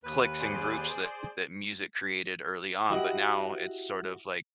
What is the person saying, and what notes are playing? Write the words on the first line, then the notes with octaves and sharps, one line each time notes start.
cliques and groups that that music created early on. But now it's sort of like,
D#2 B4
G#4 C5 D5
E4 F#4 G4 D#5